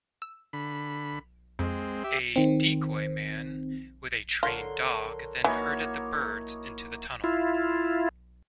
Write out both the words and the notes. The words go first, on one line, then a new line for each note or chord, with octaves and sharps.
A "decoyman" with a trained dog then herded the birds into the tunnel.
E6
D3 B5
F2 G#3 C4
G4 E5
D#3 C4
D3 F4 A#4 C#5 C6
E3 A#3 D#4 E4 F#4 C#5
E4 F4